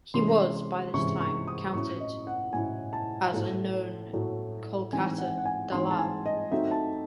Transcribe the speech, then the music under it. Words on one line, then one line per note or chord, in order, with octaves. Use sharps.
He was, by this time, counted as a known Kolkata "dalal".
C3 E3 G#3 C#4 E4 C6
C3 E3 G#3 C#4 E4 C#6
C#6
D#6
A2 F#3 C#4 E4 C#6
D#5
F#5
A2 F#3 C#4 E4 G#5
A5
A2 F#3 A3
A2 F#3 A3
E3 G#3 C4 D#4 G#5
F#5
F#5
G#5
E3 G#3 C4 D#4 C6
A5
G#5
D#5
F#3 A3 C4 D#4 E5
A5